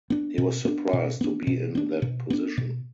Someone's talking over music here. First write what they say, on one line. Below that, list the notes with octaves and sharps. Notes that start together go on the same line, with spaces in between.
He was surprised to be in that position.
B3 D4
B2
B3 D4
B2
B3 D4
B2
B3 D4
B2
B3 D4
B2